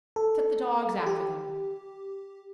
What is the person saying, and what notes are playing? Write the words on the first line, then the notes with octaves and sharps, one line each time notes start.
'Set the dogs after them.'
A4
G4